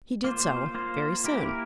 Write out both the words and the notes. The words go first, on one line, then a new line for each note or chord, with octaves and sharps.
He did so, very soon.
A#3 F4 C5
A#3 F4 C5
A#3 E4 G4 A#4